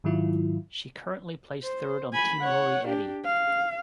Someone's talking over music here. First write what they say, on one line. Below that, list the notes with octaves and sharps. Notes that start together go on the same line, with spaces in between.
She currently plays third on Team Lori Eddy.
G#2 D#3 F#3 E4 F4
C5
G#5 B5
C#5 F#5
D4 G4
F5